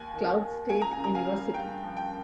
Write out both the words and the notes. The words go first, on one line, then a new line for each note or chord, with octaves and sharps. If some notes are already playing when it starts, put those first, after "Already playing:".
Cloud State University.
Already playing: D#2 G#5
D#3
A#3
C#2 G#5
A#5
C#3 G#5
A#5
F5 G#5
G3
G2 G5
F3
G5